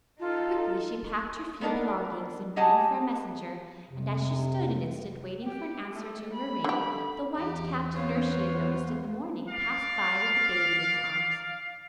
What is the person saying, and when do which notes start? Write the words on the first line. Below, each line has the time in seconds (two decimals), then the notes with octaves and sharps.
Quickly she packed her few belongings and rang for a messenger, and as she stood an instant waiting for an answer to her ring, the white-capped nurse she had noticed in the morning passed by with the baby in her arms.
0.20 D#4 F4 A4
1.61 B3 D4 D#4 A#4 D5
2.56 G4 G#4 D#5 F#5 G#5 A5
3.89 F2 C3
5.44 G4
5.92 A3
6.33 B5
6.64 D3 G4
7.36 E2 G4 D6
7.94 B3 F4 C5 C#5
9.49 D5 F5